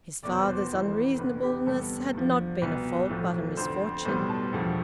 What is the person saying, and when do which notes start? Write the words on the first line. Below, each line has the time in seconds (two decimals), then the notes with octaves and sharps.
His father's unreasonableness had not been a fault, but a misfortune.
0.23 F1 E2 B2 D5
0.32 C5
0.40 B4
0.48 C5
0.72 F2 E3 A3
1.18 F1 E2 D3 B4
1.43 G4
1.66 E2 C3 G3 B3 A4
2.15 E2 D3 F3
2.62 C2 B2 B3 B4
3.09 B1 A2 F3 A3
3.57 F1 F2 D3 C5
4.05 B1 A2 G3 B3 C5
4.29 A5
4.53 E1 D2 D3 F3 A3